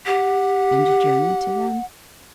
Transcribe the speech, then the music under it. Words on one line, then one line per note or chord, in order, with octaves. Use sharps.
"And you journeyed to them?"
G4 F#5